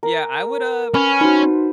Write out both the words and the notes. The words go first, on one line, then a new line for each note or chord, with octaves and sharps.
Yeah, I would, uh,
A#4
C#4 B4 F6
D#4 F#4 B4 C5